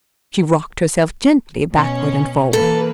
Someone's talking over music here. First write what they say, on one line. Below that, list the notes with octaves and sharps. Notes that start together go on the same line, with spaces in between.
She rocked herself gently backward and forward.
B2 C#4
E3 A#3 A4 B4